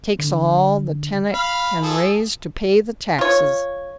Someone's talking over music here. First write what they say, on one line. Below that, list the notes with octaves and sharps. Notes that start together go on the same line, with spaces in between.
Takes all the tenant can raise to pay the taxes.
D3
F5 B5
F3 G#4 A4
F4 C#5